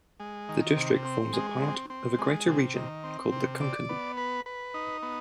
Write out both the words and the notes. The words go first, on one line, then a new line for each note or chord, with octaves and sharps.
The district forms part of a greater region called the Konkan.
G#3
D#3
C3
C4
G#3
C4
C4
G#3
C3
D#3
C4
C3
D5
B3
B4
B4
D#4
B3